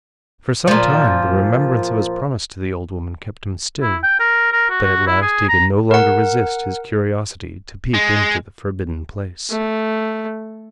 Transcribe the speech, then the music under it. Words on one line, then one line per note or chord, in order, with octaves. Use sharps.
For some time the remembrance of his promise to the old woman kept him still, but at last he could no longer resist his curiosity to peep into the forbidden place.
A#2 F3
E4
G5
A#4
A#4
F#4
F#4
E4
G#4
A#5
A#4 F#5
G#3
A3